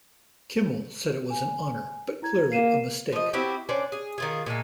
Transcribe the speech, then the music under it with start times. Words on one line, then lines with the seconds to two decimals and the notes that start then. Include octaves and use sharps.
Kimmel said it was an honor but clearly a mistake.
1.30 G#5
2.22 E4 A#5 G#6
2.52 A#3 C7 D#7 E7
3.12 F3 D#5
3.33 C4 E4 F#4 G4
3.69 C#4 D4 C5 D5
3.92 G#4
4.18 D#3 F4 G#4
4.46 A#2 G#3 A3